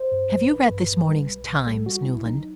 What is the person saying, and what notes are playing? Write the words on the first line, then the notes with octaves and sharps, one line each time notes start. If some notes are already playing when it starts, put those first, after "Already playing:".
"Have you read this morning's Times, Newland?"
Already playing: C5
G2
A1
A1 B4
G2
A1
G3
B1
B1
G3 A4
G3 F#4
B1 E4
F#3 D#4